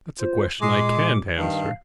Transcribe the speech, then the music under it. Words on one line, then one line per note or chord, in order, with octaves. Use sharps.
That's a question I can't answer.
F4 C5
A#2 G#3 D6
G2 D#3 F5